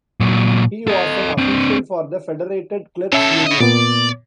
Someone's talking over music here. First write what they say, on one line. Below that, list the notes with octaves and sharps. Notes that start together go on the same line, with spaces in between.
He was an official for the Federated Clerks' Union.
A#2 F#3
A4 D#5
C4 D4
B2 C#4 A4 E5
F#4 D#5
A#2 B3 D5